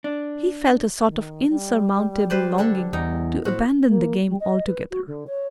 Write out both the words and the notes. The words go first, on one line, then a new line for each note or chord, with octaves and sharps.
He felt a sort of insurmountable longing to abandon the game altogether.
D4
D#3
G3
B4 C5 D5
D3 D4 A4
E2 D#4
A2 F#4 C5
A#3
G3
D#5
B4
F#4
D3
C#5